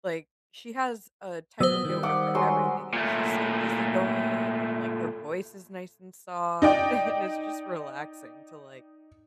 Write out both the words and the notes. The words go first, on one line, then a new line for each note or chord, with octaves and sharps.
like, she has a type of yoga for everything, and she's so easygoing, and, like, her voice is nice and soft, and it's just relaxing to like
F#3 B3 C5 D#6 E6
D#3 G3
F#5 D6
F#3 G#3 C6
A#2 A3
D#4 D5 G5